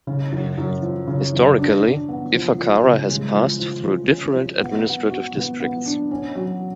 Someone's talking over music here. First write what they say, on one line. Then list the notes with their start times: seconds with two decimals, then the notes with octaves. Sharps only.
Historically, Ifakara has passed through different administrative districts.
0.07 C#3
0.32 F#2
0.58 F#2
0.82 F3
1.07 C#3
1.33 F#2
1.58 D4
1.84 D4
2.09 B3
2.33 F3
2.59 F3
2.84 C#3
3.09 G#3
3.34 F3
3.59 F3
3.84 F3
4.09 C#4
4.35 F3
4.60 B3
4.85 B3
5.10 F#4
5.36 B3
5.60 B3
5.86 D4
6.11 C#4
6.35 F#3